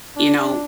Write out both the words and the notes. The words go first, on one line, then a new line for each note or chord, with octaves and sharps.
you know
D4